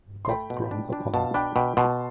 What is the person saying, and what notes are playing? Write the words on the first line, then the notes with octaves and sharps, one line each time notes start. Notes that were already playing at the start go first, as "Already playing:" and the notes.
Dust ground upon it.
C6
A3 G5 B5
B2
D4
D4
B2 F5 A5
D4 G5 B5
B2 G5 B5
B2 A5 C6